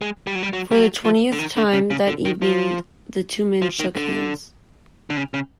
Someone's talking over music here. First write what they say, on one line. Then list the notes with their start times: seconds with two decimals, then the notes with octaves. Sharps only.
For the twentieth time that evening the two men shook hands.
0.01 G#3
0.27 G3
0.35 F#3
0.43 G3
0.53 F#3
0.71 G3
0.79 F#3
1.05 F3
1.32 D3
1.39 D#3
1.57 D3
1.73 C#3
1.90 C#3
2.07 D3
2.25 D#3
2.42 F3
3.62 F3
3.80 D#3
3.97 D3
5.10 D3
5.17 C#3
5.34 C#3